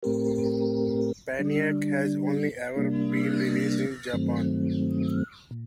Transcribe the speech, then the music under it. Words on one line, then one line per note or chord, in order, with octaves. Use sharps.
"Painiac" has only ever been released in Japan.
A2 A3 C4 G4 A#4
D3 G3 D4
C3 G3 A#3 D4
G2 D#3 F#3 A3 C4
A#2